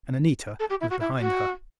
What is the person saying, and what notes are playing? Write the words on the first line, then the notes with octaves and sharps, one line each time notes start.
And Anita was behind her.
A4
G4
E4
F#4
E4
F#4